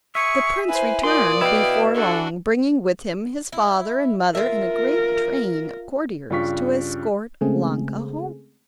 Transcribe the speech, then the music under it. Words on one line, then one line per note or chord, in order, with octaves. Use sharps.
The prince returned before long, bringing with him his father and mother and a great train of courtiers to escort Ilonka home.
G#4 E5 C#6
E4 B4 C5 G#5
A#2 D5 C6 D#6
B2 E4 F5 G5
D4 F#4 A4
E4
F4 A#4 E5
G2 C#3 F4 C#6 B6
C#3 G#3 A3 C4 G#4